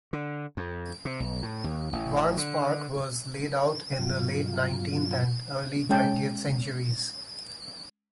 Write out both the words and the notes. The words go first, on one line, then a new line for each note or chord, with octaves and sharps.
Barnes Park was laid out in the late nineteenth and early twentieth centuries.
D3
F2
C3
B1
A2
D#2
A1
D3
G2 B2 F#3 F4
G#3 C#4 G5 A5